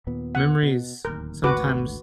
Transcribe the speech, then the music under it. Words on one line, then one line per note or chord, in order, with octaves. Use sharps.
memories, sometimes
D#2 A#2 B3
F#5
B2
D1 D#2 A#4
G#1 D2 D3 F#4 B4 D6